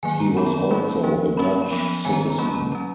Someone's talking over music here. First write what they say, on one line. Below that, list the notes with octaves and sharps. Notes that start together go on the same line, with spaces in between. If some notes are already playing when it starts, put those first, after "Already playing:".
He was also a Dutch citizen.
D#3 F#3 A#3 G#5
A#5
D#3 F#3 B3 B5
B5
F#3 A#3 C#4 B5
F3 A#3 C#4
F#3 A#3 C#4 B5
B5
F3 B3
D#3 G#3 B3 G#5
A#5
A#5
F#3 A#3 C#4 B5
A#5
F#3 C#4